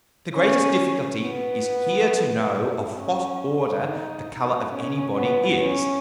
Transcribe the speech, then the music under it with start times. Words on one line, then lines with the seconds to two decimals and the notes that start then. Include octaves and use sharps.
The greatest difficulty is here to know of what Order the Colour of any Body is.
0.34 C#4
1.22 B3
2.97 C#4
3.84 D#4
4.72 C#4
5.16 B3
5.60 C#4